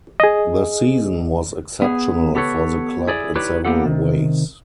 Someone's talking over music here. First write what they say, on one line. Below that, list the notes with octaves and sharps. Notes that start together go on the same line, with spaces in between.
The season was exceptional for the club in several ways.
G#4 D#5
B3 G#4
B3 G4 A4 B4 C#5
E4 G#4 D5
D#4 E4 G4 B4 C#5 D5
A#3 B3 G4 A4 F#5
C3 D#3